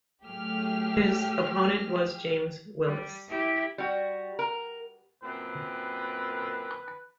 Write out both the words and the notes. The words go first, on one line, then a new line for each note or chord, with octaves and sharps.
His opponent was James Willis.
A2 F#3 A3 G4 G#4 F6
G3
E4 G4
G3 F#4
A#4
F#2 A#2 C4 B4